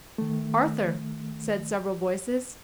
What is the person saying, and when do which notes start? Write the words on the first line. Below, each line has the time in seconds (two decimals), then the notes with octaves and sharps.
"Arthur," said several voices.
0.18 D#3 A3